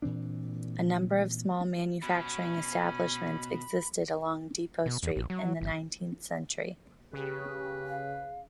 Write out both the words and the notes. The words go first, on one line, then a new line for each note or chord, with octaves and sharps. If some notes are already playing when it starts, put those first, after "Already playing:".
A number of small manufacturing establishments existed along Depot Street in the nineteenth century.
A#2 E3 C4 D4
B2 C#4 B5
B2
E2
A#1
F#3
G1
C#3 G4 B4
F5